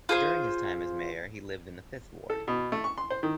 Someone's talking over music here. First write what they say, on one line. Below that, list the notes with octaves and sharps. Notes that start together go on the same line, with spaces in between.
During his time as mayor he lived in the Fifth Ward.
F4 G#4 C5
A4
B2
A3
C#6
C6
C5
D#3